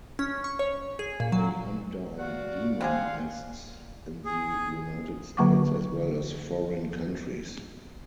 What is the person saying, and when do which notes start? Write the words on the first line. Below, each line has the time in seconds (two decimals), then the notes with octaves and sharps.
They hunt down demon nests in the United States, as well as foreign countries.
0.19 C#4
0.44 C#6
0.59 C#5
0.99 G#4
1.20 A#2
1.32 F#3
2.18 F#4 D5 F5 F#5
2.81 C4 G4 G#4 F5 F#5 C6
4.25 G#4
5.37 D3 F#3 A#3 F#5 C#6 D6